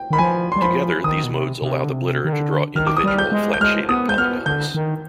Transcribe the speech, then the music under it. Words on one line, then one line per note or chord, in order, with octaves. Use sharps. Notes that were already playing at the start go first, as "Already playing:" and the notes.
Together, these modes allow the blitter to draw individual flat-shaded polygons.
Already playing: G5
D#3 B5
F3 G#5
G3 C6
F3 B5
D#3 D#6
B2
C3
C3
D3
C3
D#3
D3
D#3 F6
D6
D#6
G3 F6
G6
G#3
G6
G#3 F6
B3 D#6
G#3 G6
B3 F6
D3 G6
D#3